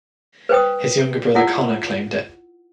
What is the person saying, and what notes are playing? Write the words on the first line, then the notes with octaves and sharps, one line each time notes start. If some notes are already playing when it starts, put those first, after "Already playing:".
His younger brother, Conor, claimed it.
B4 C5 G5 D#6
E4 F4 F#5 E6